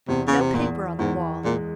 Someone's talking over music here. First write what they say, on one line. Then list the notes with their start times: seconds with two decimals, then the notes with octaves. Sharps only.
No paper on the wall!
0.09 E2 C3
0.27 C#3
0.41 C3
0.54 E2 A#2
0.99 E2 G#2
1.44 A#2 G#3